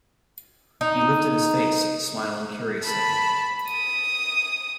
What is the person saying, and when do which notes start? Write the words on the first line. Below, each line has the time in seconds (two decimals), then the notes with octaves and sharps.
He lifted his face, smiling curiously.
0.81 D#4
2.83 A5 B5
3.68 D#6